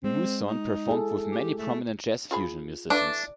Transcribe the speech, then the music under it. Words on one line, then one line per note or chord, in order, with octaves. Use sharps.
Mouzon performed with many prominent jazz-fusion musicians.
G#3 C4
D#4
E4 G#4 A4
G4
A3
F4 G#4 B5
E3 A3 D4